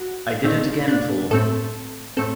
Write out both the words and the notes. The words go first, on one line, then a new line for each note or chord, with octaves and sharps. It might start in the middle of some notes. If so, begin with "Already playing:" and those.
I Did It Again Tour.
Already playing: F#4
A#2 A3 C4 D#4
D4
A2 A3 C4 A4
A2 A3 C4 A4